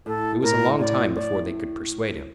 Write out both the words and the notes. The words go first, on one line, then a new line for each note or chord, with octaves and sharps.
It was a long time before they could persuade him.
A2 A4
A2 A#4
A2 D5
A2 D5